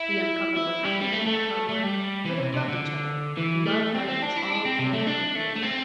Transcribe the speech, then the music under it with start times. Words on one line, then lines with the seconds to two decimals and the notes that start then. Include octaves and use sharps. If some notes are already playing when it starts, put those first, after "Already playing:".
The young couple were happy in their hard work, for they loved each other, and love lightens all care and labor.
Already playing: E4
0.56 E4
0.85 G3
1.02 G3
1.13 A3
1.27 A3
1.69 A3
1.83 G3
2.25 E3
2.39 C3
2.53 C3
2.68 D3
3.37 E3
3.66 A3
3.95 C4
4.08 C4
4.22 D4
4.37 E4
4.50 D4
4.65 C4
4.79 C3
4.93 A3
5.07 D4
5.35 A3
5.56 A3
5.63 C4